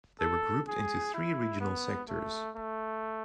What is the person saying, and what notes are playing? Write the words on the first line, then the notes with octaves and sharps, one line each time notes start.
They were grouped into three regional sectors.
A4
G#4
E4
B3
A3
A3